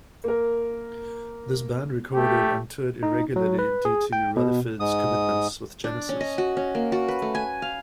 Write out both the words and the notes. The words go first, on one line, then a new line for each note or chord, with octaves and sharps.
This band recorded and toured irregularly due to Rutherford's commitments with Genesis.
A#3 A#4
A3 G4
D#4
F#3
B4
G#4
G5
B2
G#2 D#6
D4
C#4
D#5
F#4
C#4
A#3
F#4
B4
A3
G#5
F5